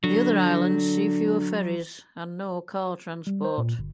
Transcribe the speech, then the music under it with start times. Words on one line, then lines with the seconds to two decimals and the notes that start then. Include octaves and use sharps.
The other islands see fewer ferries and no car transport.
0.04 D3 F#3
3.27 G3
3.45 C5
3.58 A#2
3.79 G1